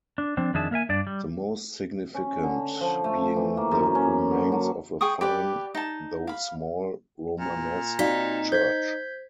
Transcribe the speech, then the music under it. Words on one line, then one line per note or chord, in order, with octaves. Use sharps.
The most significant being the remains of a fine, though small Romanesque church.
D4
F3 C4 D4
F2 D#3 D4 G#4 E5 A5
A#3 A#4 E5 G#5
G2 D4 D5
G3
C#4
D3
F3
A3
E3
A#3
F#2
C#4
D3
F#3
G#4 G5 C#6 D#6
G4 B4 D5
D#4 A5
F5 B5
A#2
C4 D#4 F#4 D5 F5 B6
C5 G6 G#6 B6